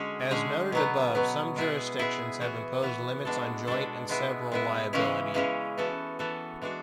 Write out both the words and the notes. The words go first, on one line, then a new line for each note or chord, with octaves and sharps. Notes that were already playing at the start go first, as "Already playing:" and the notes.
As noted above, some jurisdictions have imposed limits on joint and several liability.
Already playing: D3 G#3 C#4 F#4 G#4
D3 G#3 C#4 G#4
B2 F#3 B3
B2 F#3 B3
G#3 B3 E4 G#4
G#3 B3 E4 G#4
E3 B3 F#4
E3 B3 F#4
B2 G#3 D4 A4
B2 G#3 D4 A4
G#3 B3 E4
G#3 B3 E4
C#3 E3 G#3 C#4 E4
C#3 E3 G#3 C#4 E4
E3 B3 F#4 A4
E3 B3 F#4 A4
E3 G#3 D4 F#4